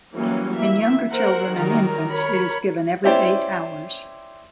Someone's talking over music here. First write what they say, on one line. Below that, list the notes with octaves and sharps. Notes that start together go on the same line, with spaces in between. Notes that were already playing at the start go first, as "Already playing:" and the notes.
In younger children and infants, it is given every eight hours.
E3 F#3 G3 A#3 C#4
E3 A#3 E5
A#4 C5 F#5
D#3 F#3 G3 A#4
A#4 C#5 B5
C#4 E4 G4 C5 D5